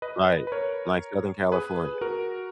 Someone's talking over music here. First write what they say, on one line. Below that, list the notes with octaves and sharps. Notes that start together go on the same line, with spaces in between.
Right, like Southern California.
B4 D#5
B4
A#4 C#5
G#4 B4
F#4 A#4